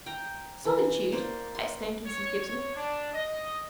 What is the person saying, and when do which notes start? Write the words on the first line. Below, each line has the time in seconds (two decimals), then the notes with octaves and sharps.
"Solitude!" exclaimed Mrs. Gibson.
0.06 G5 A#5
0.65 E3
1.12 A#3 C5 D5
1.55 C6
2.05 C#5
2.40 C#5
2.76 D4
3.13 D#5